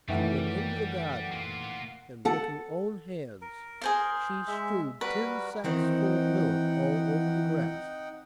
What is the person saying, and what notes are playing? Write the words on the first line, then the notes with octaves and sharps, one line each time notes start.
She went into the garden, and with her own hands she strewed ten sacks full of millet all over the grass.
F#2 D#3 E3 G3 A3 F#5
A#3 F4
A4 F#5
A#4
G#4 C5 F5
G#3 E5
G3 F#4 A#4 B4
D#3 E3 C4 D#4 A#4 F#5 G5